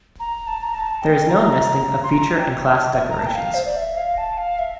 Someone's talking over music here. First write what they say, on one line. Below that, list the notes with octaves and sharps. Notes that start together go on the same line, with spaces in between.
There is no nesting of feature and class declarations.
A#5
A5
A#5
A5
G5
A#5
C6
A#5
G5
E5
E5
A#5
A5
G5
F5
C5
D5
E5
F5
A5
F5
E5